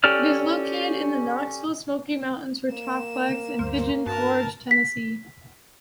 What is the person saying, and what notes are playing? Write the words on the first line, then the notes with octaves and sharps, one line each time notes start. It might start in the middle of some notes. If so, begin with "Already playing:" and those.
It is located in the Knoxville-Smoky Mountains metroplex in Pigeon Forge, Tennessee.
C#4 G4 A4 D5 F6
A#3 E7
D2 G2 A#4 C5
G2 F#4 A#4 B4 A5
B6